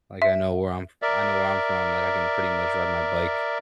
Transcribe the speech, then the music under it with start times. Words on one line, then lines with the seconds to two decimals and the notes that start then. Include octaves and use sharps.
Like, I know where I'm f I know where I'm from, like, I can pretty much ride my bike
0.22 E5
1.02 A#4 D5 E5